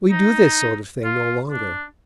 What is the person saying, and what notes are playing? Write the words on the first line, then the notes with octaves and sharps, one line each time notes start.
We do this sort of thing no longer.
D#4
F4
D4